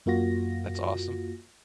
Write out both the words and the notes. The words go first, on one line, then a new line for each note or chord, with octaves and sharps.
That's awesome.
F#2 A#3 F4 F#4 A#6